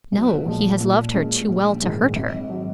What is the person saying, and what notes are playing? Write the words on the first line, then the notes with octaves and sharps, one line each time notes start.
'No, he has loved her too well to hurt her.'
B1
A#2 F3 G#3
A#2
G#3 C#4
A#1
G#2 D#3 G#3
G#1
F#3